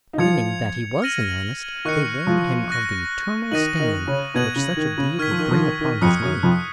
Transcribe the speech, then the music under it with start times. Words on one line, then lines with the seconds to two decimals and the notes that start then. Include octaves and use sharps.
Finding that he was in earnest they warned him of the eternal stain which such a deed would bring upon his name.
0.13 D#4
0.19 F3 F4 G#6 C#7 F7
1.02 F6 A#6 D#7 F#7
1.85 D#3 D#4 C#6 F#6 C#7
2.26 F3 F4
2.69 C#6 F#6 A#6
3.51 D#3 D#4 D#6 A#6 D#7 F#7
3.79 D#3 D#4
4.07 C#3 C#4
4.34 B2 B3 G#6 D#7 F#7
4.56 C#3
4.77 D#3
4.98 C#3
5.19 D#3 C#6 F6 G#6 B6
5.31 F3
5.39 D#3
5.51 F3
5.60 D#3
5.81 D#3
6.01 F2 F3 D#6 F#6 C#7
6.22 F#2 F#3
6.43 F2 F3